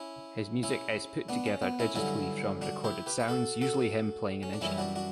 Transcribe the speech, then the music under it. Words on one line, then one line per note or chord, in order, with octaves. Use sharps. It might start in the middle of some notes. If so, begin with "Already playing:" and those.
His music is put together digitally from recorded sounds, usually him playing an instrument.
Already playing: C#4 E4
C#4 E4
B3 D4
C#4
B3
C#4 E4
G2 D3 F#3 C#4 E4
D4 F#4
E4 G4
G4 B4
B4
F#4 A4
F#4 A4
C#4
D4
F#2 E3 G3 C#4 E4
D4 F#4
D4 F#4